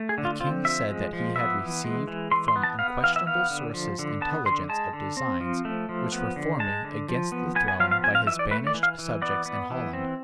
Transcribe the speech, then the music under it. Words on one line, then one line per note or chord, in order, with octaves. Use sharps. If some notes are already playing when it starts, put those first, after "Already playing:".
The King said that he had received from unquestionable sources intelligence of designs which were forming against the throne by his banished subjects in Holland.
Already playing: A3
G#4
D3
F4
C4 F4
F3 E5
G#3
F3
B3 E5
E3
G#3
E3
E3 C6
C6
B3
A5
B3 F5
E3 F5
E5
B3 F5
D3
F3
D3
B3 A5
D3 C6
G#3 A5
D3
C4
F3
A3
F3
B3
D3
G#3 A5
D3
F3
B3
B3 G#5
G#5
F3 F5
F5
C4 G#5
F5
E3 E5
D5
A3 B4
D5
E3
F5
E3
B3 D5
B3
E3
C4